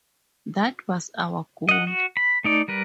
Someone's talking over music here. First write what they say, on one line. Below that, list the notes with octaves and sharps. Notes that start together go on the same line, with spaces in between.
That was our goal.
D#5 F#5
F#4
B5
A3 D#4 D5
G3 A#4 B4